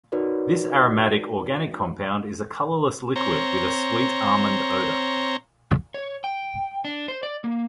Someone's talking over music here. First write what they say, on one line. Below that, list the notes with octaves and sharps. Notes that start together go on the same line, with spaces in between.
This aromatic organic compound is a colorless liquid with a sweet almond odour.
D#4 F#4 A#4 B4 C#5 D5
C4 C#5 A#5
C#5
G5
D4
C5
D5
A#3